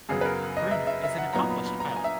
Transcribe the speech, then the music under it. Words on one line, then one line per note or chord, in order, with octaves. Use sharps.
Gruener is an accomplished pilot.
F#2 C#3 F#3 B3 G#4
B4
A#4
D#5
E5
E5
E5
F#5
A#2 F#3 B3 D#4 A#5
B5
B5
A#5
G#5
E5